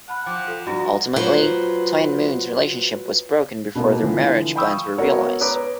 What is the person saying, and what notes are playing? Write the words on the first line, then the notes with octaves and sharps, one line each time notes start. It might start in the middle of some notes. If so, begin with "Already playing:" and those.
Ultimately, Toy and Moon's relationship was broken before their marriage plans were realized.
F#5 A5 B5 F6
F3 G5 D6
F4 A4 F5
G2 F#4 A#5
F#3 F4 B4 C5
B2 A#3
D3 E3 F3
F5 G5 B5 C#6 D#6 E6
B3 F#4 A#4 C#5 F#5
B4 C#5 A#5 D6